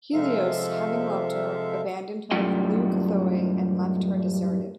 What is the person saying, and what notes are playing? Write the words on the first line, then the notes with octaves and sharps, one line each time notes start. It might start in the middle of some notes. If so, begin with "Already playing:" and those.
Helios, having loved her, abandoned her for Leucothoe and left her deserted.
C3 F3 G#3 A4 E5 F5
F#2 A2 G3 A3 F4 G5